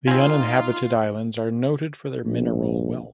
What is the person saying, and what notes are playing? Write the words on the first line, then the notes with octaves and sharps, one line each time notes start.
The uninhabited islands are noted for their mineral wealth.
C4 D#4 F4 G#5
A#1